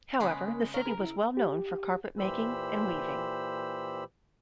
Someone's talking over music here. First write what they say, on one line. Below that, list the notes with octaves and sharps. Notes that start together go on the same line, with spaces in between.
However, the city was well known for carpet making and weaving.
C#3 G#3 B3
A#3
A#4 C#5 F5
G#4 B4
E4
G4
A#2 E3 G4 C5 B5 E6